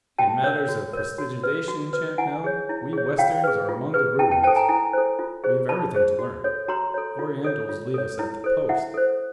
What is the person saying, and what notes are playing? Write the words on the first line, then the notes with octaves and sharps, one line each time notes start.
In matters of prestidigitation, Champnell, we Westerns are among the rudiments,--we've everything to learn,--Orientals leave us at the post.
F#4 G5 A5
A#4 C#5
F#4
A#4 C#5
F#4
B4
F#4
B4
E4 F#5 G#5
G#4 C#5
E4
G#4 C#5
F4 F5 G5
G#4 B4
F4
G#4 B4
E4 G5 A5
G5 A5
A4 C5 G5 A5
G#5 A#5
E4 G#5 A#5
A4 C5
F4
G#4 C5
F4 A5 B5
G#4 C5
F#4
A4 C#5
F#4 A#5 C6
A4 C#5
F4
A4 C#5
F4
A4 C#5
E4
A4 C5
E4 E5 F#5
A4 C5